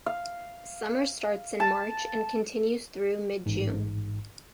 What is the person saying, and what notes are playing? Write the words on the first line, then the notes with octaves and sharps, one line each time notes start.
Summer starts in March and continues through mid-June.
F5
A5
A1 G#2